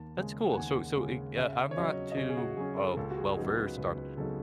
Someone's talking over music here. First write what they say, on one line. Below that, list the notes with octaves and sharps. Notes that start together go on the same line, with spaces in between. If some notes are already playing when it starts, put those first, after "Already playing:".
That's cool, so so eh, yeah, I'm not too, uh, well-versed on
Already playing: D#2 A5
C#3 G#3
F#5
D#2 G#5
C#3 G#3
C#3 E5
C#5
F#3 C#4 D#5
D#5
C#3 C#5
G#4
F#4
F#3 C#4 G#4
A4
C#2 A4
F#4
G#4
C#3 F#3 B3 D#4 G#4
B4
C#2 B4
B4
C#3 F#3 B3 D#4 A4